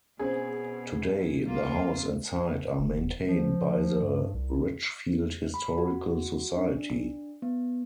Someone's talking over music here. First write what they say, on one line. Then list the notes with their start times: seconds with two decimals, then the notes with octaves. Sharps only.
Today, the house and site are maintained by the Richfield Historical Society.
0.19 B2 C4 C#4 G#4
1.47 A#3 F4
2.79 F1
3.28 F3
4.02 G2
4.34 C2
5.54 B5
5.78 F#4
6.56 D4
7.42 B3